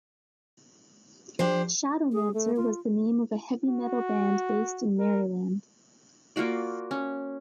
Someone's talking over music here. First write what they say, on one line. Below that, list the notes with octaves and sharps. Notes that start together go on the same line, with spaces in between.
Shadowmancer was the name of a heavy metal band based in Maryland.
F3 D4 G4 C5
G#4
A3
F4
F#4
A#4
A#3 F4 F#4 D5
C#4